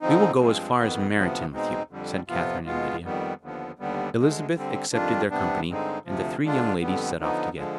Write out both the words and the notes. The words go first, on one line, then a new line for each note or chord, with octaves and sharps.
"We will go as far as Meryton with you," said Catherine and Lydia. Elizabeth accepted their company, and the three young ladies set off together.
D3 F3 C4 D#4
G2 F3 G#3 C4
F2 D#3 B3
D2 C3 F3 B3
B2 G#3 C4 D#4
F2 D3 G3
F2 C3 F3 B3 F4
B2 G#3 B3 F4
F2 D#3 G3 B3
D#2 D3 F3 B3
D#2 D3 G3 B3
D2 D3 G#3
D3 G3 C4
F2 D#3 G3 D4 F4
C3 G3 B3 D4
G2 D3 G#3 C4 D#4
D2 C3 F3
D3 G#3 D4 F4
F2 D3 G3 B3
D3 F3 B3 D#4
D3 F3 G#3